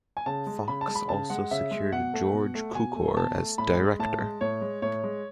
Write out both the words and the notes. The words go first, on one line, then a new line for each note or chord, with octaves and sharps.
Fox also secured George Cukor as director.
G#5
C#3 A5
G#3
C#3 B5
A5
G#3
B5
C#3 A5
G#3 F#5
C#3 E5
G#3
B2 F#5
A3
B2
A3
B2 G#5
A3
B2 A5
A3
A2 B5
G#3
A2 A5
G#3
A2 C#5
G#3
A2 C#5
G#3